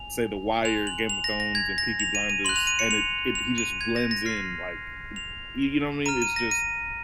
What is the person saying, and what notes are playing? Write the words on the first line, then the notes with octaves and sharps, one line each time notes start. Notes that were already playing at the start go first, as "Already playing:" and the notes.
say, The Wire, Game of Thrones, and Peaky Blinders, and it it he just blends in, like, m you you know what I mean? It's just
Already playing: G#5 F7
G#5 C6 F#6 F7
F#7
F7
A#6
A#6
G#6
A#6
F7
D#7
D#7
C6 F#6 F#7
F7
D#7
C#7
F7
F7
D#7
G#6
A#6
A#6
C6 F6 C7
F7
A#5 F6 D#7
D#7
A#6
D#7